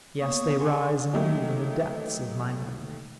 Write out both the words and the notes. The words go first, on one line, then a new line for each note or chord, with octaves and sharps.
Yes, they rise and move in the depths of my memory.
A#3 B3 C#5 C#6 D#6
G#4 F#5 G#5 C6 C#6
F#3 A3 A#3 D#4 G4